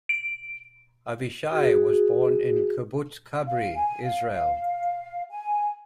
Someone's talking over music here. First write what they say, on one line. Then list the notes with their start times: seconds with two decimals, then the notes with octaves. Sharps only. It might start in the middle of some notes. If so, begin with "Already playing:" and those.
Avishai was born in Kibbutz Kabri, Israel.
0.09 D7
1.49 D#4 F#4 G#4
3.47 F5
3.76 G#5
4.03 F5
5.30 G#5